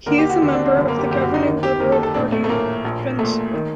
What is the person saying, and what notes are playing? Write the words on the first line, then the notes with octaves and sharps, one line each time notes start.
He is a member of the governing liberal party Venstre.
D#2 D3 A#4
G4
F#4
D#2 D3
D4
C4
F#1 F#2 D3
A#3
G4
F#1 F#2 D3 G4
F#4
D#4
D#2 D#3
G4
D#2 D#3 A#4
A4
A4
A#1 A2 D4
A3
A3
A#1 A2 A#3
A#1 A#2
A#1 A#2 A3
D#3